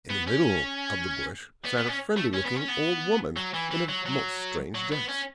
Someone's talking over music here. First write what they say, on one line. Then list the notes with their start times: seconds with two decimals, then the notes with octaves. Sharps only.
In the middle of the bush sat a friendly-looking old woman in a most strange dress.
0.10 B3
0.27 C#4
1.65 B3
1.77 B3
1.88 C#4
2.17 A3
2.34 C#4
2.45 B3
2.57 C#4
2.68 B3
3.37 F#3
3.55 E3
3.71 E3
3.89 F#3
4.06 F#3
4.75 F#3
4.92 B3
5.09 C#4